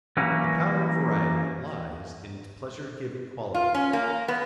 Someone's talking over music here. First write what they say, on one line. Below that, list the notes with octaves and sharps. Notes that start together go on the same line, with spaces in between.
The power of variety lies in its pleasure-giving quality.
E3 F#3 G3 A#3 C#4
F4
C#4
A#3
B3